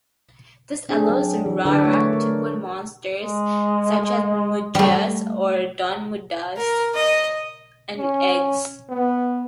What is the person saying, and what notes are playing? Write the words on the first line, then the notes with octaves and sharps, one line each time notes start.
This allows "Rara" to put monsters such as Medusas or Don Medusas in eggs.
C4 D4 G#4
F#3
E3
D3 D4 A4 B4 D5
A3 C#5
A#4
G#3
G3 A3
A#4
D#5
C#4
B3